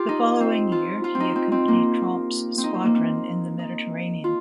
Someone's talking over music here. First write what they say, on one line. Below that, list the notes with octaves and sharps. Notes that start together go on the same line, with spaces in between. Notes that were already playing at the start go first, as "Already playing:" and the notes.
The following year, he accompanied Tromp's squadron in the Mediterranean.
Already playing: F4 G4
D#4
C4
F4
F4
C4
D#4
C4
C4
A#3
C4
D#4
C4
A#3
C4
D#4
F4